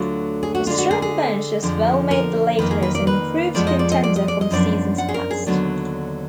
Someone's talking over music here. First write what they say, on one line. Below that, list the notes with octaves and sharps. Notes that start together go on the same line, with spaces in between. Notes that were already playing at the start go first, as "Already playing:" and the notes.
A strong bench as well made the Lakers an improved contender from seasons past.
Already playing: D2 D3 F#3 F4
G#4
F#4
D3 G#3 D4 F4
F#4
G#4
G#4
F2 D3 F3
A#4
F2 D#3 A#3 B4
G#4
B4
D5
B4
F2 F3 G#3 B3 D5
D#5
D5
D#5
D5
D#5
D5
D#5
F#2 F3 B3 D4 D5
F#5
G#4
A#4
G#4
D#2 D3 F#3 B3 D4